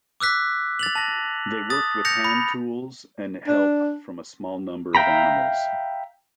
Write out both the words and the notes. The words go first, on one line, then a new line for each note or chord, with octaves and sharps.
They worked with hand tools and help from a small number of animals.
D6 E6 F#6 B6
A6 F7 F#7
A5 A#6
D#6 A6
G6 A#6 C#7 F7
B5
D4
E5 F5 G5 A#5 B5